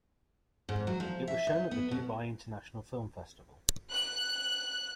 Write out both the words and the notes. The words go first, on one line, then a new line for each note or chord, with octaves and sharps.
It was shown at the Dubai International Film Festival.
G#2
F#3
F3
E5
D#4
B3
B2
F#6